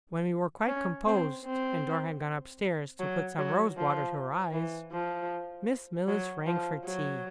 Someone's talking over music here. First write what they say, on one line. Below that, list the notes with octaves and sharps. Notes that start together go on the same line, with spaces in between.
When we were quite composed, and Dora had gone up-stairs to put some rose-water to her eyes, Miss Mills rang for tea.
C#4
C4
C4
F#3
F#3
F3
E3
F3
F#3
F3
F#3